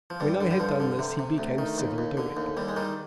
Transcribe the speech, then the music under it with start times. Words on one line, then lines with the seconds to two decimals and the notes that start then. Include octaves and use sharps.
When I had done this he became civil directly.
0.10 F3
0.20 G2 G3
0.41 D3
0.51 G3
0.60 G2 F3
0.80 D3
0.99 C3
1.19 C3
1.38 D2
1.58 D#3
1.78 D#2
1.98 D#2
2.17 D3
2.37 D#2
2.57 D#2 G3
2.69 G#3
2.76 D#3 G3